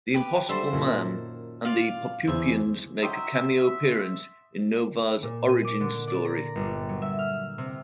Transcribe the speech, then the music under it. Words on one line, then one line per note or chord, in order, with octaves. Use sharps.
The Impossible Man and the Poppupians make a cameo appearance in Noh-Varr's origin story.
G4 B4 D6
D3 G3 A4 C5 E5
F#2 A#2 D#3
F4 D5 F5
E2 C5 E5 G#5
F#3 D#4 E5 G5 C6 D#6 E6
A#2
D#7
D6
D3
D5
A#5
G1
F#3
E5
F6
C3